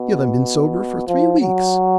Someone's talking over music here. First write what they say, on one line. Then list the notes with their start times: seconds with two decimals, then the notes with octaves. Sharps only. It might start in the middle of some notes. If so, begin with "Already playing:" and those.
You haven't been sober for three weeks.
Already playing: B2
1.07 F3
1.40 F#3